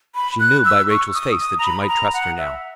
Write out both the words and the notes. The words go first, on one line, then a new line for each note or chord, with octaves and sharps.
She knew by Rachael’s face that she might trust her now.
B5
F#6
E6
C#6
D#6
D#6
A#5
B5
A#5
F#5
E5